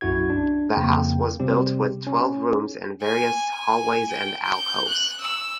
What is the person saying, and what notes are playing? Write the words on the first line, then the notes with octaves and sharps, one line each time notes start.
The house was built with twelve rooms and various hallways and alcoves.
B1 F#2 E4 F#4 G#6
D4
F2 C#3 A#3 G5
C3 G3 C4 G4
C#4
G#5
G#5
G5
G6
F#6
E6